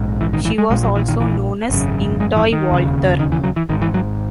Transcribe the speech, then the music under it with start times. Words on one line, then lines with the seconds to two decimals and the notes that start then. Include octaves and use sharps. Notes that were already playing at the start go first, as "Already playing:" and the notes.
She was also known as Ying-tai Walther.
Already playing: A#1 G#2
0.21 E3
0.33 D#3
0.45 E3
0.58 G#3
0.70 A#1 A#2 G#3
0.83 F#3
0.95 E3
1.08 D#3
1.20 E3
1.70 G#1 F#2 C#3
2.20 G#3
2.36 E3
2.52 D#3
2.70 E1 D#2 C#3
3.19 D#3
3.32 E3
3.44 F#3
3.56 E3
3.69 G#1 D#3
3.73 G#2
3.82 E3
3.94 F#3